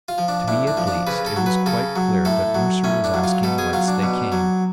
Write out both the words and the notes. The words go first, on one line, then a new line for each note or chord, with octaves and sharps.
To me, at least, it was quite clear that Mercer was asking whence they came.
F4
F3
D4
A2 D4
D4
F3
D4
C#3 B4
A4
F#3
B4
C#3 A4
F#3
A2 A4
F#3
A2 C#4
D4
F#3
F4
B2 A4
G#4
F#3 F4
D4
B2
F#3